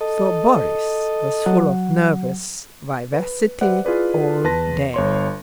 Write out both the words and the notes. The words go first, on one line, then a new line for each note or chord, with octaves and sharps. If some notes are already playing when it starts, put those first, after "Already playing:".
So Boris was full of nervous vivacity all day.
A4 D#5
F#3 F#5
B4
G4 B4 C5 D5 E5 F#5
E4 F4 G#4 B4 D5
E2 B4 A5 C6 A#6
G1 C#5 C6